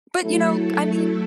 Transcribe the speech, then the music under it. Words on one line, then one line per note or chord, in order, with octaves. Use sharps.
But, you know, I mean
F#3 A3 E4 A4